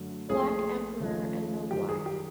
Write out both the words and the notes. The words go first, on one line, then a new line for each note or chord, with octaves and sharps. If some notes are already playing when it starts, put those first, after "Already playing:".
Black Emperor and Mogwai.
Already playing: F#2 D3 F#3 A3
A#1 A#2 F3 A3 G#4
D#2 C#3 F3 A3
F#2 D#3 G3 G4
G#4
G4